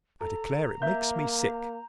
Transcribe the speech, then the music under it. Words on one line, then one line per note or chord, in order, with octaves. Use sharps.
I declare it makes me sick.
A4 A#5
A#3 E5 G6